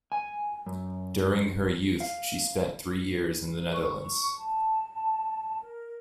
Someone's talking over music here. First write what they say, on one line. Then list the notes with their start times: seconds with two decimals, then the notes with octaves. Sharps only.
During her youth she spent three years in the Netherlands.
0.12 G#5
0.66 F#2
2.00 F5
3.73 C#6
4.36 A5
5.62 A#4